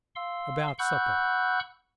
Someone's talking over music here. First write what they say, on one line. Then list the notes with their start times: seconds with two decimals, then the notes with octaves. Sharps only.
"About supper."
0.16 F5 C6 E6
0.79 F#5 B5 C#6 E6 F#6 G6